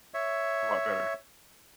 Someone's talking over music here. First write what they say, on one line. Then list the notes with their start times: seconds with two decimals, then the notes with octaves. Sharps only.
a lot better.
0.14 C#5 E5